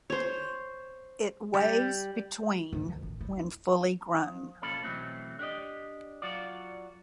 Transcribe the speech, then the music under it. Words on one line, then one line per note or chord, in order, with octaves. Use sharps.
It weighs between when fully grown.
C5 C#5
G3
D2
D#3
A1
E4
F3
B1 A#3 C#4 F4 A4 B5
B2 E3 F#3 A3 C4
D4 G4 D5 D#5
F#3 F4 F#4 D5